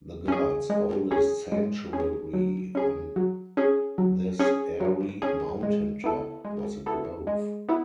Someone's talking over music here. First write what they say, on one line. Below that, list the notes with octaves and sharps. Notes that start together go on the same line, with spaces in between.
The god's oldest sanctuary on this airy mountaintop was a grove.
C#4 G#4
G#3
C#4 G#4
G#3
C#4 G#4
F#3
C#4 G#4
F#3
C#4 G#4
F#3
C#4 G#4
F#3
C#4 G#4
G#3
B3 E4 A4
G#3
B3 E4 A4
G#3
B3 E4